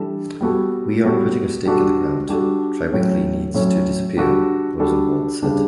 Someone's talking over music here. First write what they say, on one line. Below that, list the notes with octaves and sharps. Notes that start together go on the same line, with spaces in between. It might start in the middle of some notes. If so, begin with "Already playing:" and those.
"We are putting a stake in the ground: Triweekly needs to disappear," Rosenwald said.
Already playing: E3 G3 D4 A4
G3 B3 F#4 A4
G3 B3 F#4 A4
G3 D4 F#4 A4
G3 D4 F#4 A4
A2 F#3 C#4
A2 F#3 C#4
G3 D4 F#4 A4
G3 D4 F#4 A4
C#3 G3 D4